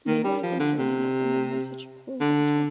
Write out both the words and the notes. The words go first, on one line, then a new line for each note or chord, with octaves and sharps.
The midwives in town did not remember such a cruel winter.
D#3
G3
F3
D3
C3
D3